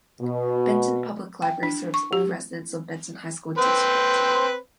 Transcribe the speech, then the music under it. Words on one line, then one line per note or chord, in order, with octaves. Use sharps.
Benton Public Library serves all residents of Benton High School District.
B2
G5
D4
C#6
G4
C4 B4 C5